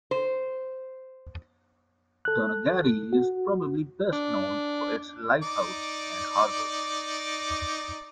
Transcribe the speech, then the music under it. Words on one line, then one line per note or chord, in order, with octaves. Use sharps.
Donaghadee is probably best known for its lighthouse and harbour.
C5
A4 F#6
F#4
D4
D#4 D5 D6